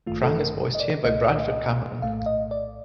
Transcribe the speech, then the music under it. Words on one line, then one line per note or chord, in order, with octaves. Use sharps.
Krang is voiced here by Bradford Cameron.
A1 G2 D#3 A3 F4
A4
A#4
D#5
D5
C2 A#2 A3 D#5
A#1 A2 A3 F5
D#5
D5